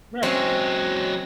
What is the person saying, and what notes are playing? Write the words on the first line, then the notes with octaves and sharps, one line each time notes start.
Very nice.
F#3 G#3 C4 C#4